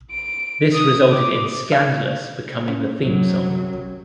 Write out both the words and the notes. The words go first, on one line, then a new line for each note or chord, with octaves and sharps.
This resulted in "Scandalous" becoming the theme song.
D7
D#6
D6
F5
C#4
F#2 C3 F#3